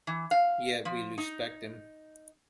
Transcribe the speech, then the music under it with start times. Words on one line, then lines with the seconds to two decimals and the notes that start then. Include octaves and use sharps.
Yet we respect them.
0.07 E3
0.31 F5
0.85 F3
1.18 D#4